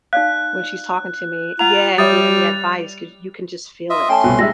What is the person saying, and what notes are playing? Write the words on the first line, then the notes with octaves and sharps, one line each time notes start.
when she's talking to me Yeah, and giving me advice 'cause you can just feel it,
D#4 D5 F5 F#6
F4 F#5 A#5 F7
G3 C#5 E5 D#6 A6
F4 D#5 E5
A3 C#4 G5 A5 C6
C2 B2 C4
G3 G#3 D#4 E5 E6 A#6